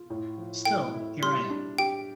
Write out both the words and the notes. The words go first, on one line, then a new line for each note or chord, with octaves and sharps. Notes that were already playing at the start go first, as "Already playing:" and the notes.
Still, here I am.
Already playing: F4
A2
F3
A3 G5
E4
G3 C6
D4
G4 G5